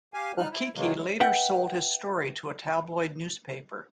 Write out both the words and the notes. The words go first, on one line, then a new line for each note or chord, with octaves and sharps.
O'Keke later sold his story to a tabloid newspaper.
G4 F5 G#5
G3 D#4 F6 F#6
E4
C3 D#3 E3 F#3 G#3 A#3
F#3 G#3
B4 E5 F#5 G5